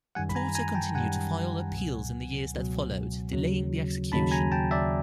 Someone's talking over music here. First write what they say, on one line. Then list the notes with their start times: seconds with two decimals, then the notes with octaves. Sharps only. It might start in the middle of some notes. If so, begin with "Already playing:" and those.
Porter continued to file appeals in the years that followed, delaying the execution.
0.15 F#2 D#3 G3 F#5 G#5
0.29 B5
0.35 G#5 A#5
0.55 G#5 A#5
0.75 G5 A5
0.95 F#2 D#3 G3 F#5 G#5
1.75 C#2 B2 F#3
2.54 C#2 B2 F#3
3.33 D#2 C#3 F#3
4.12 D#2 C#3 F#3 A5 B5
4.31 G#5 A#5
4.52 G5 A5
4.71 D5 E5